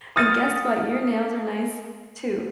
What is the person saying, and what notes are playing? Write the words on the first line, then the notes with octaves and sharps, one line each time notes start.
And guess what? Your nails are nice, too.
D#6 F6 A6 C#7 D#7